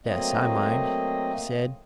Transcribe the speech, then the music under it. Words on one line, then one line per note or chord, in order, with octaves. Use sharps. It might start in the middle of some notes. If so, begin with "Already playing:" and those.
"Yes, I mind," he said.
F#3 A3 A#3 C4 D#5